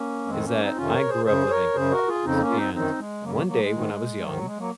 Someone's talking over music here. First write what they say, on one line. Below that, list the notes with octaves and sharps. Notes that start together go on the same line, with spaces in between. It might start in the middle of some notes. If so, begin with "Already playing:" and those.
is that I grew up with anger problems and one day when I was young,
Already playing: A#3 C#4
F2 D#3 G#3 C4
A#3 C#4
C4 D#4
F2 C3 D#3 C#4 F4
A#4 C#5
G#4 C5
F#2 C#3 G#4 C5
A#4 C#5
F#2 C#3 G#4 C5
F#4 A#4
F4 G#4
F2 C#3 C4 D#4
A#3 C#4
F4
C4 D#4
F#2 D#3 C4 D#4
G#3
F#2 C#3 F#3 A#3
F#3 A#3
F#3 A#3
G#3
G#2 D#3
G#2 D#3 F#3
F#3
G#3
F#3 A#3